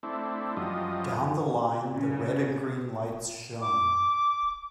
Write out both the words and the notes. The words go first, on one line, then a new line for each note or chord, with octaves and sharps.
Down the line the red and green lights shone.
A3 C4 D4 E4
F#2 F3 G3 D#5
C#3
D6